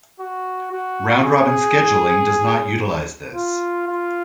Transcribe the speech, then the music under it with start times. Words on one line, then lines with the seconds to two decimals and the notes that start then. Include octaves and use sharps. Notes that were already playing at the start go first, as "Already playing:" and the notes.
Round-robin scheduling does not utilize this.
0.20 F#4
0.72 F#4
1.24 G#4
3.35 F4
3.87 F4